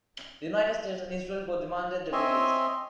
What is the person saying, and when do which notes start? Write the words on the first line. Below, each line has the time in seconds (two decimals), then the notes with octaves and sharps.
The United States and Israel both demanded their release.
2.13 C4 C#5 D#5 E5 G#5 C6